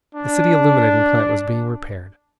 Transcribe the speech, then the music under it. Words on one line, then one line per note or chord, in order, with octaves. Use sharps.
The city illuminating plant was being repaired.
D4